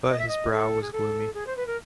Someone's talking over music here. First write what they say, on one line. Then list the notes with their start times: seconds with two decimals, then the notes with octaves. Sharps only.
But his brow was gloomy.
0.10 D#5
0.19 E5
0.28 D#5
0.51 A4
0.82 G#4
0.92 A4
1.34 G#4
1.47 C5
1.56 B4
1.67 A#4